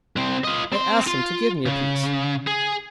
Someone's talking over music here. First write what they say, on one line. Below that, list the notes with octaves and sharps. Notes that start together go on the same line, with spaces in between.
I asked him to give me a piece.
C2 C4
F4 D#5
C4 C6
F4
C#3
G#4